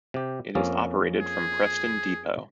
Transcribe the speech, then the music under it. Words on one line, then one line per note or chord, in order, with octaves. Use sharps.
It is operated from Preston depot.
C3 G4
F2 A#3 C#4
G#4